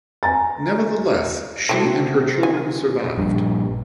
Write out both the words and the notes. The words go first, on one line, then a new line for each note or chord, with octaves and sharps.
Nevertheless she and her children survived.
G#5 A#5 A6
C3 F#3 E4 G4 A4
G#5
A#1 G2